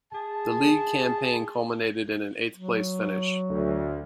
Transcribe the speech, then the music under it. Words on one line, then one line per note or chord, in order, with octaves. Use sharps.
The league campaign culminated in an eighth-place finish.
G#4 A5
F#3
D2